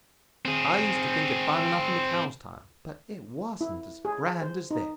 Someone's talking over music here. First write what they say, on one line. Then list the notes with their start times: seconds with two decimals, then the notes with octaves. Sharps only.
I used to think it fine enough in the Carrolls' time, but it wasn't as grand as this.
0.45 C4 G#4
3.61 E4
4.05 G#4
4.42 C5
4.71 D#4